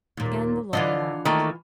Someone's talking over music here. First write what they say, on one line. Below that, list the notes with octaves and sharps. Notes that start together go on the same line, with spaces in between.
Again the lawyer laughed.
D#2 A#2
D3 E3 F4 D#5
D#3 A3 A#3